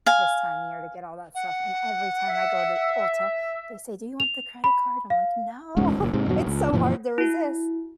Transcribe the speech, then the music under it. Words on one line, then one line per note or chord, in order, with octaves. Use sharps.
this time of year to get all that stuff, and every time I go to Ulta, they say, "Do you want the credit card?" I'm, like, “No.” It's so hard to resist.
F5 G#5
F#5
E5
F7
B5
F5
E1 C#2 G#2 C#3
F#1 A#2
G#2 C3
E2 G2 B2 F#3
C#2
F#2 A#2 E3 F3
E4 F#4